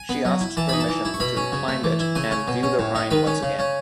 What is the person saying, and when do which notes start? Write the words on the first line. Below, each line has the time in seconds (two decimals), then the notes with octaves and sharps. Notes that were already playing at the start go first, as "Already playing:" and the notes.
She asks permission to climb it and view the Rhine once again.
Already playing: G#5
0.09 B3
0.25 F#3
0.41 E4
0.57 E3 A5
0.69 D#4 B5
0.80 A5
0.89 E3
1.05 E4
1.14 C#6
1.20 B2 B5
1.37 C#4
1.52 C#3
1.68 A3
1.84 E3
2.00 E4
2.15 C#3 G#5
2.31 C#4
2.48 B2
2.63 C#4
2.79 A2
2.95 D#4
3.11 D#3 B4
3.27 C#4
3.43 C#3
3.59 C#4